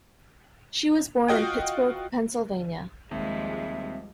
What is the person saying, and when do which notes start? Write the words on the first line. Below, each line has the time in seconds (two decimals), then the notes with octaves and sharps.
She was born in Pittsburgh, Pennsylvania.
1.28 F4 F#4 D#5 G5
3.11 D#2 C3 F3 G3 G#3 E5